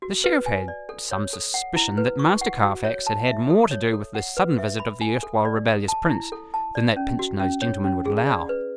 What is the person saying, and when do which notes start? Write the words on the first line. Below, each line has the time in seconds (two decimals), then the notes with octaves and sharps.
The Sheriff had some suspicion that Master Carfax had had more to do with this sudden visit of the erstwhile rebellious Prince than that pinch-nosed gentleman would allow.
0.02 F#4
0.24 B4
0.46 G#5
0.68 D5
0.89 A4
1.11 C#5
1.33 A4
1.54 F#5
1.76 E4
1.98 B4
2.19 C#6
2.41 F#5
2.63 F#4
2.85 C#5
3.07 A5
3.27 E5
3.50 A4
3.71 C#5
3.93 A4
4.15 F#5
4.37 B4
4.58 E5
4.80 B5
5.01 G#5
5.23 A4
5.45 D5
5.67 A4
5.88 A5
6.11 E4
6.32 A4
6.54 A5
6.75 D5
6.96 C#4
7.19 F#4
7.40 C#4
7.62 C#5
7.84 C#4
8.06 G#4
8.27 D5
8.49 B4